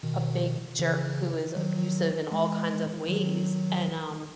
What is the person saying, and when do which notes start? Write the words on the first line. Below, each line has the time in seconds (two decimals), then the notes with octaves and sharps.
a big jerk who was abusive in all kinds of ways, and, um,
0.03 B2 D#3
0.79 C#3 E3
1.56 D#3 F#3
2.32 E3 G#3
3.09 D#3 F#3